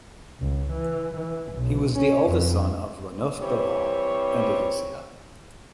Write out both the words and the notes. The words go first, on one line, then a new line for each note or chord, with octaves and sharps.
He was the eldest son of Ranulf de Vaux and Alicia.
C#2
E3
E3
B1
C#4
F2
E3 G3 C4 C5 C#5